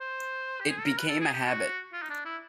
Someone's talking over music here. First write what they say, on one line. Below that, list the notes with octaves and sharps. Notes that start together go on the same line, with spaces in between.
It became a habit.
C5
G4
G#4
A4
A#4
B4
A4
G#4
G4
F#4
F4
D#4
D4
E4